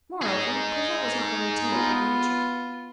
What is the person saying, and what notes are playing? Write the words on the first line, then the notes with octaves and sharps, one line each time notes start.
Moreover, Cosette was not very timid by nature.
D#4 G#4
B3 F4